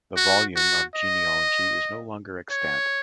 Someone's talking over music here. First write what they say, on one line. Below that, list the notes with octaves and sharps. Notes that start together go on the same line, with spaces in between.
The volume of genealogy is no longer extant.
F#4
F#4
D#5
C#5